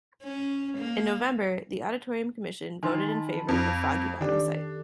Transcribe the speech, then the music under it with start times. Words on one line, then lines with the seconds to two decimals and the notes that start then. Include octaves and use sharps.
In November, the Auditorium Commission voted in favor of the Foggy Bottom site.
0.23 C#4
0.78 A#3
2.83 D#3 G#5 C6 A6
3.09 A5 B5
3.49 F2
4.21 D#3 D4 G4 A4